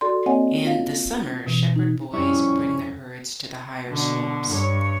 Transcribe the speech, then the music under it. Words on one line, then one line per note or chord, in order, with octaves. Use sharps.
In the summer shepherd boys bring the herds to the higher slopes.
F#4 A4 D5 C6
A#3 C4 C#5 D#5 F#5 G#5
F4 F5
B2 E3
D#4
F2 G3 C#4 E4 C#6
B2 D3
G2 C#5